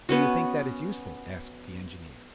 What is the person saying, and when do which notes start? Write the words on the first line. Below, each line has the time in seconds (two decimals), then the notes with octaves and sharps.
"Do you think that is useful?" asked the engineer.
0.09 B3 C#4 F#4